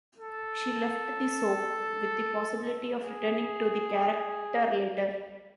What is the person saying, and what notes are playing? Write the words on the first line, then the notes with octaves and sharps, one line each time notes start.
She left the soap with the possibility of returning to the character later.
A4
G#4